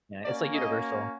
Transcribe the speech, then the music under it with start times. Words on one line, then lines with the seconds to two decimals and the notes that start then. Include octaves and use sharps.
Yeah, it's like universal.
0.24 A#3 C#4 F#4 D5
0.53 D#5